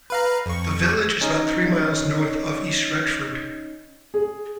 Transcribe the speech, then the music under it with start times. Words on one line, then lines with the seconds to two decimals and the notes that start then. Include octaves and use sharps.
The village is about three miles north of East Retford.
0.10 B4 F5 A#5
0.46 F2 C#6
1.21 C#4 D#4 C#5 D#5
4.14 G#4